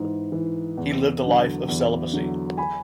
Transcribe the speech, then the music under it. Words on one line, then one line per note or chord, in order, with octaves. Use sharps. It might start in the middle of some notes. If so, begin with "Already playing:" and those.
He lived a life of celibacy.
Already playing: G#2 E3
E3
E2
D3 F#3
E2
D3 F#3
G#5 B5